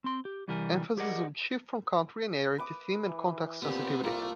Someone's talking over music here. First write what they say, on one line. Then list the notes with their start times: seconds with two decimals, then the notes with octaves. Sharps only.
Emphasis would shift from country and area to theme and context-sensitivity.
0.04 C4 C6
0.25 G4
0.48 C2 E3 G3 G4 A#4 G#5
0.97 G4 G#4 A#4 D5 D#5 F#5
2.58 B4 D6 D#6
3.08 E3
3.63 A#2 B3 C4 G4
4.03 C2 A3 A#3 F4 D6